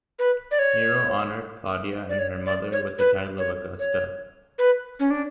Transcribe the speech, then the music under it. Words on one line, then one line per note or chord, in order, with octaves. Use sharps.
Nero honored Claudia and her mother with the title of Augusta.
B4
D5
C#5
D5
C#5
D5
C#5
B4
C#5
C#5
B4
C#4
D4